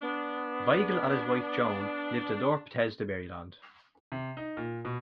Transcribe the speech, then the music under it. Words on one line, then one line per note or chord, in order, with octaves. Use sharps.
Weigel and his wife Joan live in North Bethesda, Maryland.
B3 D4
C3
D#4
A#2
B2